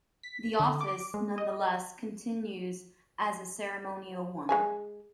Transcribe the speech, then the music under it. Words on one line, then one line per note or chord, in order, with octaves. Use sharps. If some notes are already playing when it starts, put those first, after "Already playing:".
The office, nonetheless, continues as a ceremonial one.
B6
D3
D6
G#3
D#5
G#3 G#4 G#5